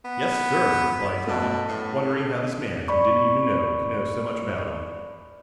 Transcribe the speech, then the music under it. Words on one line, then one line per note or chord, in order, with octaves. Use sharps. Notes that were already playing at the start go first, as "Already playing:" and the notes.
"Yes, sir," replied Tom, wondering how this man he didn't even know could know so much about him.
B3
B2 A3 A5
A2
D5 B5 C#6